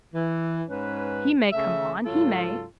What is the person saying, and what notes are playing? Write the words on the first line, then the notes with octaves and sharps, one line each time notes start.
He may come on--he may.
E3
G#2 C#4 B4
C#3 A3 E5
G#2 C#3 F#3 F4 A4